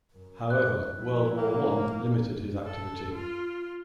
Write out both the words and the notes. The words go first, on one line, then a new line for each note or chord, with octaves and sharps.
However, World War One limited his activity.
F#2 A#4
G2 F#6
F3 G3 E4
A#3 A#4
A4
F4